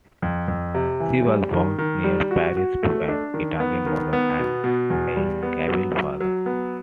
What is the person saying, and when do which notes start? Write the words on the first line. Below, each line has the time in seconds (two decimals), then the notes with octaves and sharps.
She was born near Paris to an Italian mother and a Kabyle father.
0.22 F2
0.48 F2
0.74 C3
1.00 E3
1.27 G3
1.53 D#3
1.79 D#3
2.04 G3
2.31 F#4
2.57 F#4
2.83 A3
3.09 D4
3.34 D#3
3.60 B3
3.86 D#3
4.13 B3
4.39 B2
4.64 B2
4.90 E2
5.16 G3
5.43 B3
5.68 F#3
5.94 F#3
6.20 F#3
6.46 B3